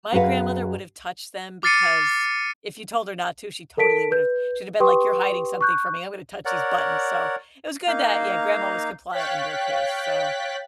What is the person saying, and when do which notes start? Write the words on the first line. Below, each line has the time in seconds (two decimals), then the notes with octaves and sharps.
my grandmother would have touched them because if you told her not to, she totally would've She'd have been, like, you're hiding something from me, I'm gonna touch these buttons, so It was good that, yeah, grandma was compliant in your case. So
0.12 F#2 F#4 G#4 B4 F5 F#5
1.63 D6 F6 A6 C7 C#7 D#7
3.77 A4 A#4 A5 B6 D7
4.12 B4 G6
4.80 G4 B4 G5 C6 C#6 D#6
5.61 C#6 F#6 G6
6.45 A#4 C#5 D5 F#5
7.87 A#3 D#4 F5
9.13 C#5 F5 G5 F#6 A6 B6